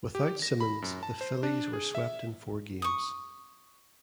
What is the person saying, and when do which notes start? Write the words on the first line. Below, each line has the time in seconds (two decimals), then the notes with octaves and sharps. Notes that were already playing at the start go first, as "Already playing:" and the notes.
Without Simmons, the Phillies were swept in four games.
0.15 G4
0.42 A#6
0.61 B5
0.82 F#2
1.03 A5
1.21 C5
1.43 D4
1.73 G#4
1.95 E5
2.82 C#6 D#6